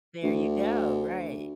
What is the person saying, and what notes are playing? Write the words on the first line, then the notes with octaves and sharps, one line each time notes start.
There ya go. Right.
D2